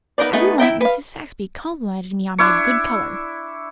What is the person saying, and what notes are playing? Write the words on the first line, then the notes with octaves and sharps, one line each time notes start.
As we went Mrs. Saxby complimented me on my good colour.
B3 D#4 A#4 C5 D5
A3 B3 D#4 G#4
E4 E5 G5 A#5
B4 F5
D4 E4 C#6